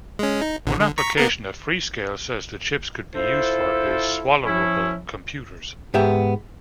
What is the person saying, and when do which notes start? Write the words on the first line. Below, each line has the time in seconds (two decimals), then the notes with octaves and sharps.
One application that Freescale says the chips could be used for is swallowable computers.
0.19 G#3 C#4
0.42 D#4
0.66 A1 D3
0.80 D3
0.98 A#5 C#6 B6
1.18 A#3 B3 A#4
3.14 E4 F4 A4 C5
4.44 F3 C#4 E4
5.94 G#2 B3 G4 E5